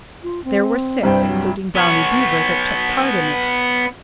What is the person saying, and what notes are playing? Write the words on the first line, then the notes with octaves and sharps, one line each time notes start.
There were six, including Brownie Beaver, that took part in it.
F4
C4
C2 G2 C5 G5
F#3
B3 C#5